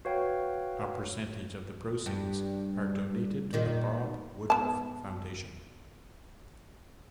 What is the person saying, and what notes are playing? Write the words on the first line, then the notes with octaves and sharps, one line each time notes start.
A percentage of the proceeds are donated to the Bob Woodruff Foundation.
F#4 B4 C#5 F5 G5
G2
A#2 D#3 A#3
B3 A5